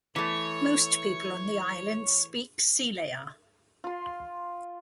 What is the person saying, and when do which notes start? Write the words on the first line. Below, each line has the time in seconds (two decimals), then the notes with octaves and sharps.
Most people on the island speak Selayar.
0.16 E3 A3 C#5
3.84 F4 C6